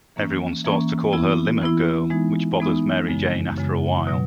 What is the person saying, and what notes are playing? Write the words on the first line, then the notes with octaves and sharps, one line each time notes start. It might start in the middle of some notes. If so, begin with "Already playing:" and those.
Everyone starts to call her "Limo Girl", which bothers Mary Jane after a while.
E3 A#3 C#4
E3 A#3 C#4
E3 B3 E4
E3 B3 E4
E3 G#3 B3 D#4
E3 G#3 B3 D#4
F#2 C#3 G#3
F#2 C#3 G#3
B2 F#3